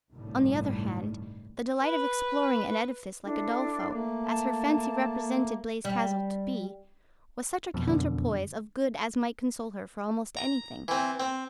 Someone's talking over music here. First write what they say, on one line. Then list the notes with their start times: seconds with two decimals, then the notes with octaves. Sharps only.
On the other hand, the delight of exploring an edifice like Udolpho, as her fancy represented Blaize Castle to be, was such a counterpoise of good as might console her for almost anything.
0.12 G1 C2 A2 D#3 G3
1.81 B4
3.24 D4 E4 A4
3.91 A3 A#3
4.24 A5
5.85 G3
7.74 F2 B2
7.87 F#2 D3
10.37 A#5
10.88 E3 C4
11.20 C4